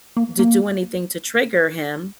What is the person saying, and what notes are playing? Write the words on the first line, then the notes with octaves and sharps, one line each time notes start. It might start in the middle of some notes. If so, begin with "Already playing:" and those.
d do anything to trigger him.
A#3
A#3